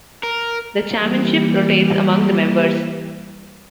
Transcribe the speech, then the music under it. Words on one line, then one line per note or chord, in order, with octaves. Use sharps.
The chairmanship rotates among the members.
A#4
E3 G3 A#3 G4